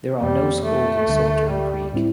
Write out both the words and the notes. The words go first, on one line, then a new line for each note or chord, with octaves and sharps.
There are no schools in Saltern Creek.
F2 E3 G3 A#3
A3
D2 D3 G3
G3
A2 G3 C4 E4